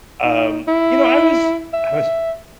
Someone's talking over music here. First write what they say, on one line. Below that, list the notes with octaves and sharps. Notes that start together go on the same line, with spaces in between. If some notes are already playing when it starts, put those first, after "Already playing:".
um You know, I was I was
D#4
E4
E5